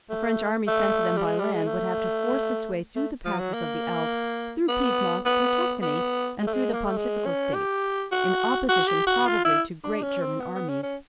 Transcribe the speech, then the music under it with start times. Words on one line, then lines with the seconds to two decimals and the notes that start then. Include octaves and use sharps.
A French army sent to them by land would have to force its way through the passes of the Alps, through Piedmont, through Tuscany, and through the Pontifical States, in opposition probably to great German armies.
0.10 A3
0.67 A3
1.17 G3
1.25 G#3
1.39 G3
1.53 G#3
1.67 A3
2.96 A3
3.25 F3
3.39 F#3
3.53 A#3
4.68 B3
5.25 B3
5.82 B3
6.39 G#3
6.47 A3
6.54 G#3
6.74 A#3
6.85 A3
6.97 G#3
7.26 C#4
7.54 G4
8.11 F#4
8.68 F#4
8.87 G4
9.07 F#4
9.26 F4
9.45 E4
9.84 D4
10.02 C#4
10.21 C4
10.40 B3
10.55 B3
10.69 C#4
10.83 C#4